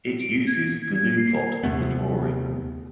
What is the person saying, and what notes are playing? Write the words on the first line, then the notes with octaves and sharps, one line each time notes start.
It uses gnuplot for drawing.
D7
G#6
C7
D#2 C3 A3 B3